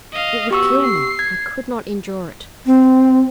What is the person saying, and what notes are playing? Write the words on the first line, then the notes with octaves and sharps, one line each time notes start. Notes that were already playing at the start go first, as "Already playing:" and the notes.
It would kill me; I could not endure it.
D#5 F5
B3 F#4 G4 C#6 E6
C7
G#6
C4